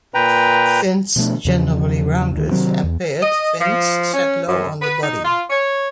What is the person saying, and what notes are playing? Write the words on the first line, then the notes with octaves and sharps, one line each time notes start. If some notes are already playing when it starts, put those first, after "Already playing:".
Fins generally rounded and paired fins set low on the body.
A#2 B4 G5 A#5
B2 F3 A3 D4
E2 C#3 F3
D2 D#3
C3 D#3 F#3 C4
E2
D#5
F3
C#4
F#2
B4
D#4
F4
C#5